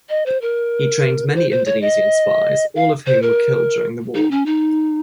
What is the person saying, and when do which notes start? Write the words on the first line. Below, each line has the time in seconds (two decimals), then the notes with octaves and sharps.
He trained many Indonesian spies, all of whom were killed during the war.
0.09 D#5
0.26 C5
0.41 A#4
1.29 A#4
1.35 C5
1.50 C5
1.66 C#5
1.81 D#5
2.76 F5
3.07 C5
3.22 A#4
4.15 D#4
4.31 C#4
4.46 D#4